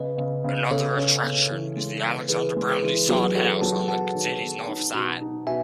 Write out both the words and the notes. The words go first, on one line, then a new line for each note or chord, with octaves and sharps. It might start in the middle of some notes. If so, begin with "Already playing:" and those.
Another attraction is the Alexander Brownlie Sod House, on the city's north side.
Already playing: C#3 B4 D#5
C#3
C#3
C#3 A4 C#5
C#4
C#3
E3
G#3
B3
E3 G#4 B4
G#3
G#4 B4
E3
F#3 G#4 B4
F#4 A4 C#5
F#3 F#5 A5
F#4 F#5 A5
D#3
B3
D#4
B2
D#4
B2 E5 G#5